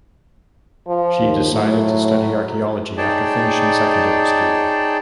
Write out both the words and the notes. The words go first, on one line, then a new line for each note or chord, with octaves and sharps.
She decided to study archaeology after finishing secondary school.
F3
D#2
A2 F#3
D#4 G#4 C#5 D5 G5 A5